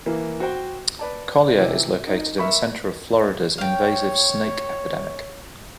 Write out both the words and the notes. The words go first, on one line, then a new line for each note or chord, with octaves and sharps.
Collier is located in the center of Florida's invasive snake epidemic.
E3 A#3
F#4 C5 G5
B4 D5 A5
C3 E3
D#4
A#4 E5 B5 C#6
C#5 F5 G5